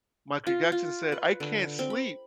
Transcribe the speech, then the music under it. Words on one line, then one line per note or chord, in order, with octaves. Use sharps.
Michael Jackson said, "I can't sleep
F4
F4
B4
D3
C4
B5